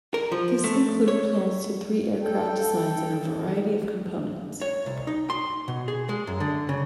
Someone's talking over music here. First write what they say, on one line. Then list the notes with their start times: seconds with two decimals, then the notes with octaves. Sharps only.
This included plans to three aircraft designs and a variety of components.
0.14 A#4
0.32 F3
0.64 A3
1.08 C#5
2.22 A4 G5
4.62 C#5
4.86 C2
5.07 D#4
5.30 C6
5.68 B2
5.88 G#4
6.09 G#3
6.27 F#2
6.40 D3
6.69 C#3